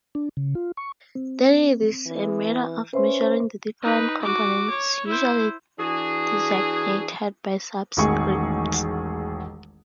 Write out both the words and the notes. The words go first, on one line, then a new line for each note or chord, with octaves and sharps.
Then it is a matter of measuring the different components, usually designated by subscripts.
D4
C#3
F4
C#6
C4
E3
C#4 B4 C5 E5 C6
D#4 B4
F#4 D6
C#5
E4 C5
E3 D4 F#4 G#4
E1 A1 D#3 G#4 C#6